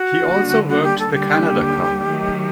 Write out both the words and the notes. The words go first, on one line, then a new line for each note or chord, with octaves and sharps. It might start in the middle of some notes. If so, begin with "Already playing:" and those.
He also worked the Canada Cup.
Already playing: F#4
D#2 D3 G3
F#4
G4
A4
D#2 D3 G3 G4
D#3 F#3 A3